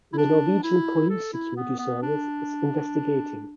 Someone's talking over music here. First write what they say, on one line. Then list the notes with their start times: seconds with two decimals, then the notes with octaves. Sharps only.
The Norwegian Police Security Service is investigating.
0.13 E4
0.18 D4
0.64 E4
1.10 A4
1.33 E4
1.56 B3
1.79 B3
2.02 D4